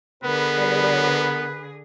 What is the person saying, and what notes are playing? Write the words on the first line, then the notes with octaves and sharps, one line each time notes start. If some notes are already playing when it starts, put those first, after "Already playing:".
and it'll
D3 B3 G#4 A#4 B4